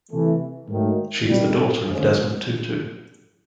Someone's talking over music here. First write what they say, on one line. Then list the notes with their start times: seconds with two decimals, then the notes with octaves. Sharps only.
She is the daughter of Desmond Tutu.
0.11 C3 E3 A3
0.69 G#2 D#3 F#3 A3
1.28 C3 D#3 G3
1.87 D2 D3 F3 G#3 C#4